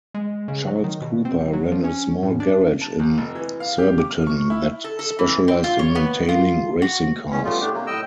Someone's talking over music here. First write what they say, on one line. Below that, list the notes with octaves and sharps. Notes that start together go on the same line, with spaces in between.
Charles Cooper ran a small garage in Surbiton that specialised in maintaining racing cars.
G#3
C#3
F#3
D#3
B2
C4
D#1
F#3
F3
C#4
A2
D4
A5
D#2
F1
E3
F5
G4
D6
F6
C#6
E4
A4
A4
E3
C4
F4
C#5
B3
F4
F#4
E2 C#4
G3 A3 B3 F4
A2 A3 D4 G4
C3 F#3 A#3
A2 D#5 G5 E6